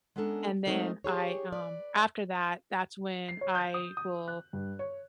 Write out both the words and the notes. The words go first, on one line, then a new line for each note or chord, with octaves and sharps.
and then I, um after that, that's when I will,
G#3 B3 C#4 D4 A4 A#4
G#3 A3 C4 D#4 A#4
G4 G#4 C#5
B4 D5
C7
C#5
G6
D#6
D#6
F#6
G2
C#5